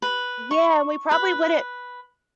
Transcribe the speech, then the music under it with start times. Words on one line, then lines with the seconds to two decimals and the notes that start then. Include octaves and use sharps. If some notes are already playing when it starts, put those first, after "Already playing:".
Yeah, we probably wouldn't
0.02 B4
0.51 C#6
1.11 B4